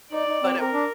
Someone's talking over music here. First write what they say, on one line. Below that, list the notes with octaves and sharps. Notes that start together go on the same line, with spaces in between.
But, um
D#4 D5
D#4
C4
C4 A#4
D4